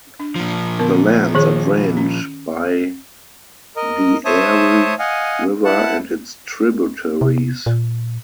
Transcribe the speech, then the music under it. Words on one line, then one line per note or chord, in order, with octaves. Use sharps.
The lands are drained by the Aare river and its tributaries.
D4
A#2 F3
D3 B3 A#4
D#3 G#4 C#5
C#4
A#4 D#5
C5 C#5 E5 A5 D#6
D#5 F5 F#5 G#5
E4 F#5 A5
C3
A#2